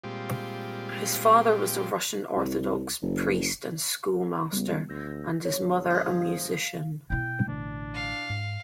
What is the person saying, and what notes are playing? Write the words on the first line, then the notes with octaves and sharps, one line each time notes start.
His father was a Russian Orthodox priest and schoolmaster, and his mother a musician.
A#2 G3 G#3 C4 F4 G4
C2
F#1
C#2 G3 B3
D2 E6 G6 A#6
G1 C#5
F3 G#3 F5
B2 E4 G5
A1 D3 A3 D4
F5
G#2